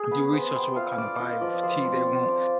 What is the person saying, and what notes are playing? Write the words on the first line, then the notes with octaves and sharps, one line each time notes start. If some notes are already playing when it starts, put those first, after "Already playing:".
do research on what kinda body or physique they want,
Already playing: G#4
B3 B4
B3 C5
B3 G5
F4 F5
F4 D5
F4 D#5
F3 D5
F3 C5
C4 D5
C4 D5
F4 D5